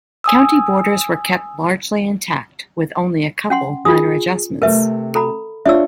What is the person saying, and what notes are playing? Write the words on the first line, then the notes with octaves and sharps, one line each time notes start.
County borders were kept largely intact, with only a couple minor adjustments.
G#5 D#6 E6
C#4 F#5 C6
F4 G#4 D#6
C3 A3 A#4 B4 E5
A4 A#5 B5
D4 F4 C#5 E5 E6